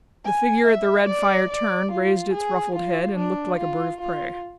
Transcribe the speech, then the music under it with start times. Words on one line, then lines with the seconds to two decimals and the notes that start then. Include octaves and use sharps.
The figure at the red fire turned, raised its ruffled head, and looked like a bird of prey.
0.24 G#5
0.66 E5
1.07 D5
1.50 D5
1.91 F4
2.33 G#4
2.75 F4
3.17 D4
3.58 F4
4.00 F4